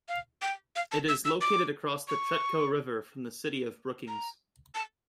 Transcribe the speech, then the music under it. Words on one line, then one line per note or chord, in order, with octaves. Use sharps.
It is located across the Chetco River from the city of Brookings.
F5
G5
F5
A5
E6
E6
D6
C#6
A#5
A5